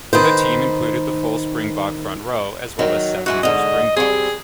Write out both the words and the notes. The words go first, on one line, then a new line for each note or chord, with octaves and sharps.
The team included the full Springbok front row as well as seven more Springboks.
D#3 B4 C5
D#3 F#3
G#2 E3 F#4 G#4
G#2 D3 D#5
G3 C4 G#4